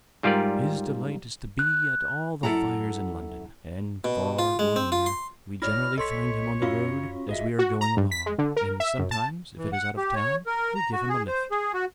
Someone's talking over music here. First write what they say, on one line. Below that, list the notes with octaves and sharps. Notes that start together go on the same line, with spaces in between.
His delight is to be at all the fires in London; and, far or near, we generally find him on the road as we are going along, and sometimes, if it is out of town, we give him a lift.
G#2 G3 F4 G4 A#4 D5
F#6
F#2 E4 A4 F#5 A#5
B2
F4
G#3
C4
F4
C6
G1 E4 C#5 D5 B5 F6 A#6
B1 A4 C#5 D#5 C6 B6
F#2 C#4 F4 F#4 F5
G#1 G#4 D#5 E5
F#4
A#5
G2
B6
G#3
D3
A#4
E5
F#2
A5
E3
F#5
G4
C#5
A#4
A#5
F#4
G#4
C5
G#4
F#4